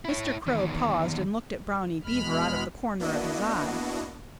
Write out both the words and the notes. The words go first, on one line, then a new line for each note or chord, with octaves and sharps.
Mr. Crow paused and looked at Brownie Beaver out of the corner of his eye.
E4 C#5
E2 D#3
E2 B2 G#3 B5 F6
A#3 B3 D4 E4 F#4 D#5